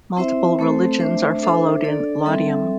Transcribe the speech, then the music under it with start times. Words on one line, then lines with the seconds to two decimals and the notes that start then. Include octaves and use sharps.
Multiple religions are followed in Laudium.
0.17 C4 E4 C5 E5
0.59 A3 C4 A4 C5
1.00 A3 D4 C5 E5
1.42 D4 A4 C5 E5
1.84 D4 A4 D5
2.25 G3 C4 A4 E5